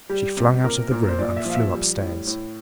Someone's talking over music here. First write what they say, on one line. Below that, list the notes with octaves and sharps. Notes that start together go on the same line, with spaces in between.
She flung out of the room and flew upstairs.
G3 G4
C3
A#2 A#4
A#2
C5
A#2 D5
E5
F3 F5
E5
G3
A2
A2